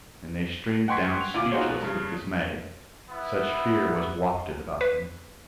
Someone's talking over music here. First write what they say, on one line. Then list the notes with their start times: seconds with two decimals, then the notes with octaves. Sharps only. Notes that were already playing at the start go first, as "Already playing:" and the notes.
And they streamed down speechless with dismay; such fear was wafted about them.
0.88 F#5 G5 C6 C#6 G#6 B6
1.21 F7
1.34 D2 A#2 F4 D6
1.52 D#4 F4 F#4 G#4 C5 C#5
1.68 B2
1.82 G2 C#3
3.10 B3 E4
4.81 B4